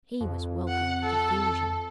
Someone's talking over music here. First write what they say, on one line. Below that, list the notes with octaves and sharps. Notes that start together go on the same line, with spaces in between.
He was welcomed with effusion.
F2
F#5
A4